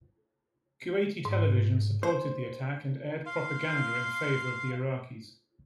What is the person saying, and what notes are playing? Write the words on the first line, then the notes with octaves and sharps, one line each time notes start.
Kuwaiti television supported the attack and aired propaganda in favor of the Iraqis.
G#2
C5
F5 C6